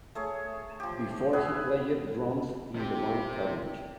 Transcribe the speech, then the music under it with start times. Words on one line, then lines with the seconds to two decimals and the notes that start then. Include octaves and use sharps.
Before he played drums in the band Carnage.
0.15 A3 G#4 C#5
0.80 F3 G4
1.33 B3 E4 G#4 B4
2.76 C3 G4